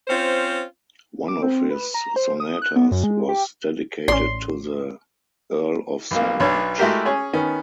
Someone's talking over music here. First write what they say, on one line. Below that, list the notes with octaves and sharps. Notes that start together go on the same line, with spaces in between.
One of his sonatas was dedicated to the Earl of Sandwich.
C4 C#4 F4 C5
D6
C4
B4
A#5
C5
D#6
F#6
B3
F#2
G#3
G4
A1 C#4 D5 C6
B1 A#3
B1 B2 D4 C#5
G#3 A3 E4 F#4 G4 A#4
C#4 G#4 C#5
D#3 B3 C#4